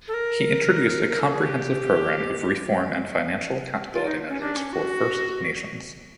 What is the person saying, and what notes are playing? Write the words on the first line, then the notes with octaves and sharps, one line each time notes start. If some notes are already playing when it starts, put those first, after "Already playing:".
He introduced a comprehensive program of reform and financial accountability measures for First Nations.
A4
A#4
A#4
A4
G#4
G4
F4
D#4
C#4
D4
C#4
F#4